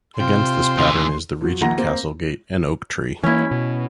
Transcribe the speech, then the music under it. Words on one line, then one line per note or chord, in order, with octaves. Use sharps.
Against this pattern is the Reigate Castle Gate and oak tree.
C3 F4 G5 C6
D2 E3
F3 F#3
A#1 D#2 F#5 A#5 A#6
A#3 C4
E3 A#3 C#4 E4
B2